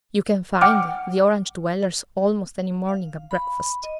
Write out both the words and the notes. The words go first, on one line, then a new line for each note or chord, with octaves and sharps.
You can find the Orange-dwellers almost any morning at breakfast.
F#5 G5 D6 F6
F5
B5
D#5